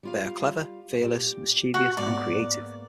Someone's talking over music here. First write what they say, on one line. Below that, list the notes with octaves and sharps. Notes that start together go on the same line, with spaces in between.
They are clever, fearless, mischievous and creative.
G3 F4 F5
A#2 G4
F#4
G#2 A#3 B3 D5